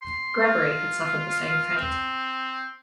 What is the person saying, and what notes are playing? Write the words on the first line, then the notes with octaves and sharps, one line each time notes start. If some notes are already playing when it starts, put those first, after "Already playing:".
"Gregory" had suffered the same fate.
C6
F4
C4